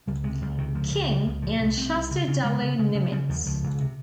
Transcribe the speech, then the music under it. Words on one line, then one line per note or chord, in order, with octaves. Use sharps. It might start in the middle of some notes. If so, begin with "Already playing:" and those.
King, and Chester W. Nimitz.
C#2 G3
C3 G#3
C#2 G3
C3 D#3
C#2 F3
C#2
C#3
C#2
A#2 F3
C2
C2 C4
C2
C#3
C#3
C#3 G#3
C#3
C#3
C#3
C#3 G3
D#2 F3
C#2 F3
C#2
C3